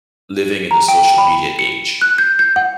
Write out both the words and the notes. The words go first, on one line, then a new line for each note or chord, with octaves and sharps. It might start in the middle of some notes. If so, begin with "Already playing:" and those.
living in the social media age,
A#5
G5
B5
C#7
F#6
G6
G6
F#5